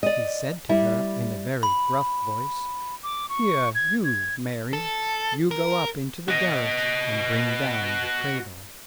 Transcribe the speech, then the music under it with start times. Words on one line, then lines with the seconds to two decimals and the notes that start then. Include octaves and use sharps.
He said to her in a very gruff voice, "Here you, Mary, you go up into the garret and bring down the cradle."
0.03 D5 D#5
0.69 G3 E4
1.63 B5
3.03 D6
3.29 C#6
3.75 G#6
4.05 G#6
4.73 A4
5.51 A#4
6.28 F#4 D#5